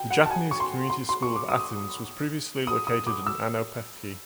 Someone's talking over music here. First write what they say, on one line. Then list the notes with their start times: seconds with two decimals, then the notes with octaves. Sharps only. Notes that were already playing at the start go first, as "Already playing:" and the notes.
The Japanese Community School of Athens was previously located in Ano Pefki.
Already playing: G5
0.11 F#5
0.25 A5
0.31 G#5
0.51 C#6
0.60 C6
0.90 C6
1.09 C6
1.22 C#6
1.36 D6
1.49 D#6
2.67 D#6
2.87 D#6
3.07 D6
3.27 E6